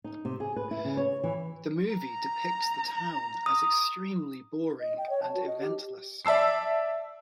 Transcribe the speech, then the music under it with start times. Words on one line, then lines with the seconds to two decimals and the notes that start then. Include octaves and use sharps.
The movie depicts the town as extremely boring and eventless.
0.04 D#4
0.25 C3
0.40 G#4
0.56 B4
0.71 E4
0.85 C#3
0.97 C#5
1.24 E3
1.95 A#5
3.46 D#6
4.80 D#5
4.98 G5
5.10 C#5
5.22 A5
5.35 F#4
5.47 D#5
5.60 G4
6.25 D5 E5 A5 E6 C7